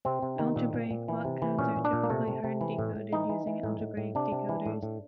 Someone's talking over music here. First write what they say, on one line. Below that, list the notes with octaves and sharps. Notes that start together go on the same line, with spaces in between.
Algebraic block codes are typically hard-decoded using algebraic decoders.
C3 C4
C3
D#3
A#2
A#2
A#2
E3
C3
E3
A#2 C#4
A#2
D4
A#2
A#3
C3 A3
C3
C3
E3
A2
A2
E3 D#4
E3
E3
A2
A2
A2
C3 D4
C3
E3
A2
A2